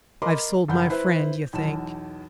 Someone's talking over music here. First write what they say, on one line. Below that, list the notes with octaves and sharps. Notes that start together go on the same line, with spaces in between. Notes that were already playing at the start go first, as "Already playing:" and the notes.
I've sold my friend, you think.
A#4 D#5 B5 C6 D6
F#1 F#5 G6
E4 B4 C5 E5
B1 E2 A5 E7